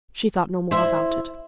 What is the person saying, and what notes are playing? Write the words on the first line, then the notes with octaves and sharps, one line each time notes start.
She thought no more about it.
E4 C5 E5